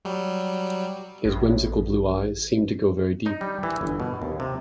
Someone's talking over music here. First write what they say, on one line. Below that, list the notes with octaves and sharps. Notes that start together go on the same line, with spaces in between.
His whimsical blue eyes seemed to go very deep.
F#3 G3
A1
D#4
G3
E3
G1
B2
D#2
C3